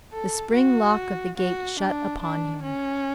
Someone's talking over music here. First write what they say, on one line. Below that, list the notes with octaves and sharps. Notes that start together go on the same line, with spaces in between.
The spring-lock of the gate shut upon him.
A4
F#4
F#4
D4
D4
C#4